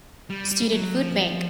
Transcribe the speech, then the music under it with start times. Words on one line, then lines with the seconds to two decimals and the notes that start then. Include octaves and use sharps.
Student Food Bank.
0.30 G3
0.52 G3
0.74 F#3
0.96 F3